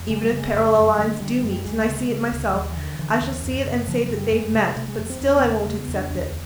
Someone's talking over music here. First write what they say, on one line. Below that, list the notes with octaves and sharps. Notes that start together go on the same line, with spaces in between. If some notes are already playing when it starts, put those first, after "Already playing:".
Even if parallel lines do meet and I see it myself, I shall see it and say that they've met, but still I won't accept it.
Already playing: F2
C#3 G#3
G3
C#3 G#3
F2
F#2 G#3
G3
D3 G3
G3
D3 G3
G3
F#2
G3
D2 G#3
C#3
C#3
D2
D#2 F#3
E3
D3
D#3
D3 E3
D#2
F#2
C#3
C#3 F3
F#3
F#2
G3
F2 G#3
C3
C3 A3
G#3
F2 A3
C4
E2 C4
B3
C#3
A#3
C#3 A3
B3
E2
D4
D2 D4